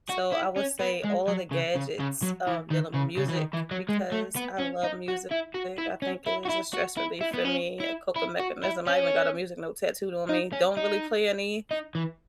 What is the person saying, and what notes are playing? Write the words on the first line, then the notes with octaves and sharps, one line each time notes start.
so I would say all of the gadgets, um, dealing with music because I love music. I think it is a stress relief for me, a coping mechanism, I even got a music note tattooed on me, don't really play any,
F#4
E4
C#4
B3
G#3
F#3
C#3
C#3
C#3
F#3
E3
D#3
C#3
C#3
E3
D#3
E3
F#3
G#3
A3
B3
C#4
D#4
F#4
E4
F#4
E4
C#4
E4
F#4
E4
F#4
E4
E4
B3
C#4
E4
E4
F#4
E4
C#4
D#4
C#4
D#4
D#4
E3